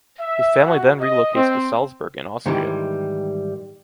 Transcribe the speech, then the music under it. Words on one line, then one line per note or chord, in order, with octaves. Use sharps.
His family then relocates to Salzburg in Austria.
E5
F#4
D#5
C4
G#2 D#3 E3 G3